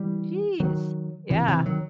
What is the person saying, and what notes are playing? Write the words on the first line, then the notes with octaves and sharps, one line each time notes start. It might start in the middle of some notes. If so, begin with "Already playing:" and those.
Jeez, yeah.
Already playing: E3 G3
D#3 F#3
C3 E3
C3 E3
D#3 F#3